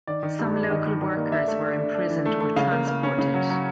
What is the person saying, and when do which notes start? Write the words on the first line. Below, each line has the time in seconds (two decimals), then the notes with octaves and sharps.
Some local workers were imprisoned or transported.
0.07 D#3 D5
0.23 D#3
0.39 G2
0.54 G2
0.70 D#3 D#5
0.86 D#3
1.01 D#3
1.17 A#3
1.32 D4 E5
1.48 A3
1.63 D4
1.79 D4
1.94 D4
2.10 E3
2.26 A3
2.41 A3
2.56 C#3 F5
2.72 A#3
2.88 A#3
3.03 C#4
3.18 C#3
3.34 F#3
3.50 F#3